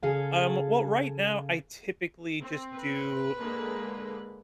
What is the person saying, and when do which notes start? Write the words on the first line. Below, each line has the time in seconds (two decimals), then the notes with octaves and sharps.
Um, well, right now, I typically just do,
0.03 C#3 G#4 A4 F5 G#5
2.40 C4
2.77 B4
3.39 D3 G#3 A#3